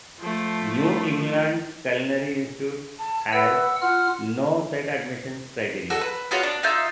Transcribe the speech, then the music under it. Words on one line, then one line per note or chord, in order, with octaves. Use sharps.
New England Culinary Institute has no set admissions criteria.
F3 A3
A5
B4 F#5 E6
F4 F#5 F6
F#4 A4
B4
B3 F4 F#4 C#5
D4
D#4 F4 E5 G6